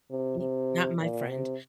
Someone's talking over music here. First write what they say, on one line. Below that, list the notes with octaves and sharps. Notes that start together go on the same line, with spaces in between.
M not my friend.
C3
C3
A#2
C3